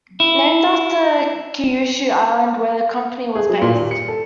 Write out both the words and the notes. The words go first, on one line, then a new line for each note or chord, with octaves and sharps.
Named after Kyushu island where the company was based.
E4
G#4
F#3
A#2
D#1
C#7
A4